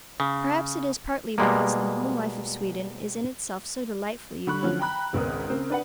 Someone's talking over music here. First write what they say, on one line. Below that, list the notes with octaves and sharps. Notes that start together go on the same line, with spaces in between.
Perhaps it is partly because the home-life of Sweden is in itself so delightfully unique.
C#3
B2 G3 G#3 A#3
D3 B5 C#6 F#6
D3 F3 F#3 C#4
G5 A#5 B5 F#6
G#1 C#2 B3 A#4 D#6
C#3 C4 A#4
D4 B4 F#5